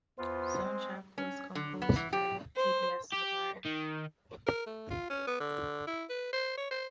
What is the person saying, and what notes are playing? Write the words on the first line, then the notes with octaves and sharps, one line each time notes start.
Soundtrack was composed by Vidyasagar.
E2 B3 F4 C5
G#3 C4
C#4
D3
B3
E3
G4
C5
G4
D#3
A#4
A3
F4
C#4
B3
D3
E4
B4
C5
C#5
C5